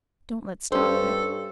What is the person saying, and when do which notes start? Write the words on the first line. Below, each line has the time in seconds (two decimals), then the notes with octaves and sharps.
Don't let's talk of it.
0.72 G2 C#4 A4 C5